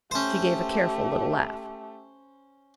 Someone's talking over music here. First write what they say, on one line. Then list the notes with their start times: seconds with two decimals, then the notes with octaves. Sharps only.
She gave a careful little laugh.
0.11 A3 C#4 G4 C5